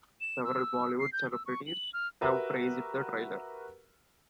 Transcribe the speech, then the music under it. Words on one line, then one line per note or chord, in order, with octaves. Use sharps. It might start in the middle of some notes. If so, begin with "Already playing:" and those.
Several bollywood celebrities have praised the trailer.
E7
E6
C7
G6
E6
C#6
F#7
F6
F#4 G4 A#4 B4 E5